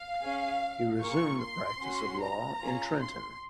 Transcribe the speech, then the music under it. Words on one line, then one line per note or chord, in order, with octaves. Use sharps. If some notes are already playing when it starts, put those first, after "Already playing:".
He resumed the practice of law in Trenton.
Already playing: F5
C#4 G#4
A#3 F4 G#4 C#6
C6
C#4 F#4
A#5
C#4 F4 G#4
C6